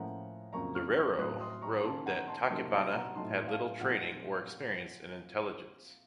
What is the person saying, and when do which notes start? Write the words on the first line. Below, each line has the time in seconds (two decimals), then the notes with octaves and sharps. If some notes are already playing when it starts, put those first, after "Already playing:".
Loureiro wrote that "Tachibana had little training or experience in intelligence".
Already playing: A2 F3 A#3 C#4 F#5 A#5
0.53 F2 C#3 F#3 A#3 A#5 C#6
0.75 C#6 F6
0.97 C#6 F6
1.19 A2 F#3 C4 D#6 F#6
1.40 C6 D#6
1.62 A#5 C#6
1.84 D#3 A#3 C#4 A5 C6
2.06 F#5 A#5
2.27 A5 C6
2.49 C3 F#3 A#3 D#4 A5 C6
2.71 A5 C6
2.93 F#5 A#5
3.15 A2 F#3 A3 C4 D#4 A5 C6
3.47 F5 A5
3.80 A#2 F3 A3 C4 D#4 F#5